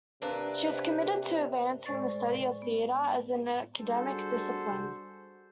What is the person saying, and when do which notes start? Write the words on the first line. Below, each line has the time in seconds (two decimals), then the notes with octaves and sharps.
She was committed to advancing the study of theatre as an academic discipline.
0.22 C3 A#3 C4 D4 B4
1.86 A2 G#3 C5 D5 C#6 A6
2.62 B3
3.81 G3 D4 F#4 G#4 A4 C5